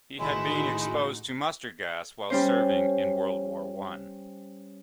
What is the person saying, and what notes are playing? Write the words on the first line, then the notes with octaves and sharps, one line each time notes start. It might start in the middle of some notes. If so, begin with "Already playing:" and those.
He had been exposed to mustard gas while serving in World War One.
A1 D#3 G#3 D#4 E4 F#4
G3 C#4 C5